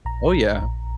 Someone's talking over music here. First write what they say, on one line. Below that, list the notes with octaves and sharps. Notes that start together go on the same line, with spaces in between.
Oh, yeah.
A#1 A#5
A#1
A#1